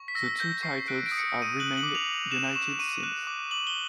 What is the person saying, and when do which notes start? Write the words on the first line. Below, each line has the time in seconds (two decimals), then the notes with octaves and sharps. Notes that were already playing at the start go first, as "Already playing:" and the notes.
The two titles have remained united since.
Already playing: C#6
0.08 B6
0.15 E6 A#6
0.39 G6 A#6
0.63 C#6 C7
0.88 F#6 D7
1.06 D7
1.12 D#6
1.18 C#7
1.23 D7
1.36 D#6
1.42 D#7
1.60 F#6 F#7
1.77 F#7
1.83 D6
1.95 F7
2.07 D6
2.14 F7
2.31 F#6 E7
2.55 C#6 E7
2.79 C#6 D#7
3.03 F#6 E7
3.27 D6
3.51 D6 F#7
3.67 G7